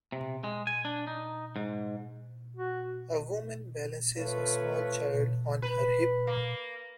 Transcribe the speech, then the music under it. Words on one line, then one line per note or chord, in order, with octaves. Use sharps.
A woman balances a small child on her hip.
C3
G#3
G#5
D4
D#4
G#2
F#4
F3 A3 F4 A4 B4 C#5
B4
A#3